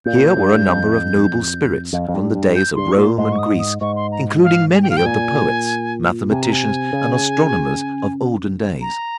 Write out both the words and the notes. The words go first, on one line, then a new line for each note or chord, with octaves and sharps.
Here were a number of noble spirits from the days of Rome and Greece, including many of the poets, mathematicians and astronomers of olden days.
A#2 G6
G2
F2
F2
F2
G2
G2
G6
G2 C6
C#6
A#2 C6
G#2 C6
C#6
D#6
D#6
G#2 C#6
C6
A#5
F5
G#5
G5
F5
G5
A#2 G#5
C3 G#5
A#5
G#5
C#3
A#5